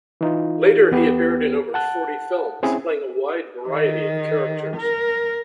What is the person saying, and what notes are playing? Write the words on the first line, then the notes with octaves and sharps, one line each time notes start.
Later he appeared in over forty films, playing a wide variety of characters.
E3 D#4 F4
E2 B3 G4
F#5 A5 F#6
C4 C#4 E4 G#4
D#3
A#4